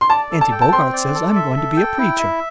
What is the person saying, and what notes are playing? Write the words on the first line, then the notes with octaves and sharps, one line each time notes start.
Auntie Bogart says I'm going to be a preacher.
C6
D5 A5
A4
A5
G5
A5
C4 C6
D5
A4
E5
A4
G5
E4
E5